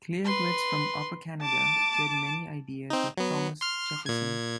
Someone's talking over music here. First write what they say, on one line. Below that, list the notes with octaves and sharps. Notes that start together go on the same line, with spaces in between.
Clear Grits from Upper Canada shared many ideas with Thomas Jefferson.
B4 C6
A5 D6
C4 D#4
F#3 B3
C6 F6
A#2 G#6